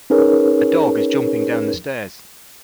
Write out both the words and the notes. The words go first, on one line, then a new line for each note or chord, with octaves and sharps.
A dog is jumping down the stairs.
C#4 D#4 G#4 A#4 B4 C#5